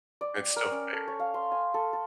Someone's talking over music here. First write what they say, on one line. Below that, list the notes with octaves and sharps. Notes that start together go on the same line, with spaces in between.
It's still there.
D5
G5
A#4
C#4
A4
C#5
F5
C6
G#5
A4
A4